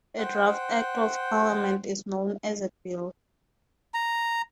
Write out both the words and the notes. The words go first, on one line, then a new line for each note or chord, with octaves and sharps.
A draft Act of Parliament is known as a bill.
C5 F#5 G5
A#5